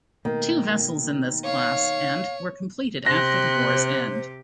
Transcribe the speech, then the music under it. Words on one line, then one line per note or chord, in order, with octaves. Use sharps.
Two vessels in this class- and -were completed after the war's end.
B2 D#3 A3 A#3
C#5 F5
C3 G4 C5 C6 F#6 A#6